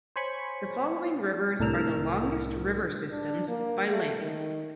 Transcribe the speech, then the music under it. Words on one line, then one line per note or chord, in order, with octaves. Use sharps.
The following rivers are the longest river systems, by length.
C5 C#5 G#5 B5 C#6
C2 A2 D4 A#4 E6 F6
D4
A#3
A3
D#3